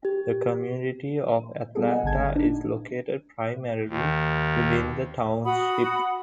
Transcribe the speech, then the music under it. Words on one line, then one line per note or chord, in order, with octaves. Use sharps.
The community of Atlanta is located primarily within the township.
G4
G3 B3 G#4 A4
D#5 F#5 G#5
G#1 D3 A5 G#6
A3
D4 D#4
D#2
F#4 F#5 B5 D#6